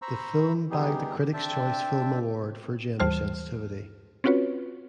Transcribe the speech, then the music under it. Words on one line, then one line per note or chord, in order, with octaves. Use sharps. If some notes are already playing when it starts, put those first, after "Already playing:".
The film bagged the Critics’ Choice film award for Gender Sensitivity.
C5 A#5 B5 C#6 E6
C3 G3 B3 D#4 G4 G#4
C4 D4 E5 G5 A5
D#2 E3 G3 C5 A5 F6
C4 C#4 F4 F#4 B4 C#5